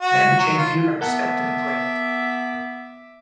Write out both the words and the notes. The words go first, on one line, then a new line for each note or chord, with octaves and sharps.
Then Jay Buhner stepped to the plate.
F#4
F#3
F4
B3 A#4 E5 F#5 A5 D6